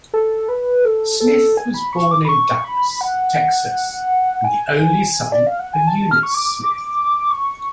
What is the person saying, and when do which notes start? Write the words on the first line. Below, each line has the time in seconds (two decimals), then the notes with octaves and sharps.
Smith was born in Dallas, Texas and the only son of Eunice Smith.
0.14 A4
0.49 B4
0.85 A4
1.20 A4
1.57 G#5
1.74 B5
1.93 C#6
2.11 D6
2.25 B5
2.29 C#6
2.64 B5
3.01 F#5
4.44 G#5
5.32 D5
5.47 F5
5.59 F#5
5.73 G#5
5.87 A5
6.11 F6
6.23 C#6
6.34 D6
7.30 C#6